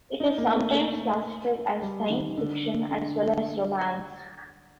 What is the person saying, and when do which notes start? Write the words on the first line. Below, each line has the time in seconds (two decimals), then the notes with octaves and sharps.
It is sometimes classified as science fiction as well as romance.
0.20 D#4
0.38 A#3
0.55 A3
0.74 A3
1.82 G3
2.10 D#3
2.30 D#3
2.37 D3
2.91 D3